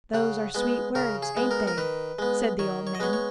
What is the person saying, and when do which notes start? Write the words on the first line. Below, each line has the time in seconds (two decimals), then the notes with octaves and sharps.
'Those are sweet words, ain't they?' said the old man.
0.14 C#3 F#5
0.55 G#3 B3
0.95 C#3 A#4
1.22 G#4
1.37 G#3 B3
1.51 A#4
1.67 A#4
1.77 D#3 B4
2.19 G#3 B3
2.59 D#3 C#5
2.87 C#5
2.95 D#5
3.00 G#3 B3 C#5
3.13 C#5